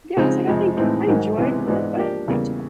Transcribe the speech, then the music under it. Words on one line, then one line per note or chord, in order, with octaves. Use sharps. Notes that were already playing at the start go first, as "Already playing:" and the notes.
yeah, I was like, I think I enjoyed it, but not too much.
C#3 F3 G#3 C4 D#4
F2 C3 F3 G#3
A2 E3 G#3 C4 D#4
G#2 D#3 F#3
C#2 C3 E3 G#3 B3
G#2 E3 G#3 B3 D4
F3 A#3 D4 G4
E2 C#3 E3 G3 A#3